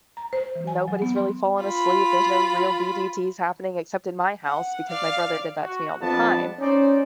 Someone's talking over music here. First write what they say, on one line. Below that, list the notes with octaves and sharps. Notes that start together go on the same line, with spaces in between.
nobody's really falling asleep, there's no real DDTs happening except in my house because my brother did that to me all the time.
A#5
C5
E3
G#5
F#3
B3
C6
F4 B5
F#5
D5 F5
F#4
F2 B3 D4 A5
C#4 D#4 C5 D5